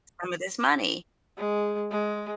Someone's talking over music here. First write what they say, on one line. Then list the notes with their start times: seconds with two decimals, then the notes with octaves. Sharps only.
some of this money
1.38 G#3
1.91 G#3